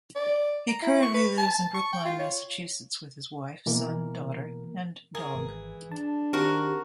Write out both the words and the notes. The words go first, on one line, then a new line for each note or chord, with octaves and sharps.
He currently lives in Brookline, Massachusetts with his wife, son, daughter, and dog.
D5
A#5
E4
C#6
B4
A5
C#6
G5
F4
C#5
B2 E3 A#3 A#4
G#4 A#4
G#1 E3
D4 A5
D#3 C4 F#4 G4 A#4